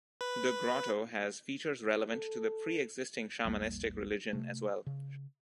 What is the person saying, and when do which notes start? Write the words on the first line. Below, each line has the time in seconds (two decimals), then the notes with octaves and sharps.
The grotto has features relevant to the pre-existing shamanistic religion as well.
0.21 B4
2.08 A4
3.45 A#1 E2 G3 A#3
4.33 C3 A3
4.86 C#3